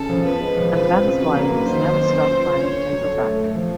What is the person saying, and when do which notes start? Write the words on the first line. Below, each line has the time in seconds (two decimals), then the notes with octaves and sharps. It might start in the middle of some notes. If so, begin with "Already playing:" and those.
And that is why we must never stop trying to take her back.
Already playing: C#3 C#4 A4
0.09 F3
0.24 B3 B4
0.41 G#3
0.56 F3
0.71 F3 B4
0.87 C4
1.03 C#3
1.19 F#4 B4
1.35 A#3
1.50 F#3
1.66 D#3 C5
1.82 B3
1.98 B3
2.13 C#4
2.29 F4
2.45 C#4
2.60 D3 C#5
2.76 D3
2.92 F#3
3.07 A4
3.23 A3
3.39 A3
3.55 F3